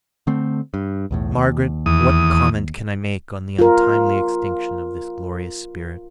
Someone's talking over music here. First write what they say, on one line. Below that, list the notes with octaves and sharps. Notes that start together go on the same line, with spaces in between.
Margaret, what comment can I make on the untimely extinction of this glorious spirit?
D3 A3 C4
G2
B1 E2 A2
D#2
E2 D#6
F4 A#4